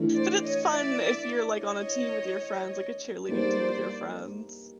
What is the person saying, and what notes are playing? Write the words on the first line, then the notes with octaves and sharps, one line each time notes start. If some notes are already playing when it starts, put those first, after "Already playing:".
But it's fun if you're, like, on a team with your friends, like, a cheerleading team with your friends.
Already playing: E3 A3 D4
C5 D5
C#5 D#5
D5 E5
C#5 D#5
G3 A#3 D#4 G#4 B4 C5 D5